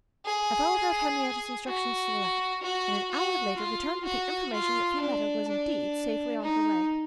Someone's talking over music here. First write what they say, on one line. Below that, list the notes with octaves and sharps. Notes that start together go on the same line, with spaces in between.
I followed out Henriette's instructions to the letter, and an hour later returned with the information that Fiametta was, indeed, safely on her way.
G#4
F#4
F#4
F#4
F4
F#4
F4
D4
D4
D#4